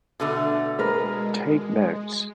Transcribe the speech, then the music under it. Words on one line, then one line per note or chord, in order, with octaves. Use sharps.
Take notes.
B2 D3 A3
G#3 A#4 B4